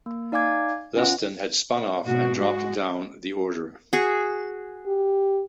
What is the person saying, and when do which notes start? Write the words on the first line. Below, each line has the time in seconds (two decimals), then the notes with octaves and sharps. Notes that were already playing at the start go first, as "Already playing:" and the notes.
Leston had spun off and dropped down the order.
0.06 A#3
0.32 D#4 D5 F5 G#5 D6 G#6
0.96 C#4 F4 F#5
2.04 G#2 B2 F#4
2.37 G#3 F#4
3.93 F#4 G#4
4.86 G4